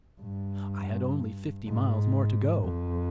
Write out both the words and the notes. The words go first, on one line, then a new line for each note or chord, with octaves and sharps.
I had only fifty miles more to go.
G2
G#2
F2